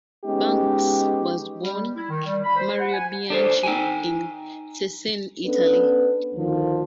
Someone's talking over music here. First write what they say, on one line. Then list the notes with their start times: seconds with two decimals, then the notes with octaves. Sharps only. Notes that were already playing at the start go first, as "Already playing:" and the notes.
Banks was born Mario Bianchi in Cesena, Italy.
0.24 G#3 B3 C#4 D#4 G4
1.61 G3
1.96 E4
2.09 D#3
2.25 G3
2.44 B5
2.56 C5
2.79 F#5
2.92 G#5
3.30 D4 A4 C5
3.63 D#4 G5 G#5
5.45 B3 C#4 D4 A4 B4
6.35 D2 D#3 F3